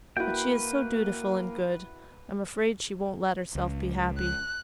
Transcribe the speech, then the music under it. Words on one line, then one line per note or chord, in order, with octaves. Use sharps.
But she is so dutiful and good, I'm afraid she won't let herself be happy.
A#3 E4 F#4 B4 G5
C#2
F#6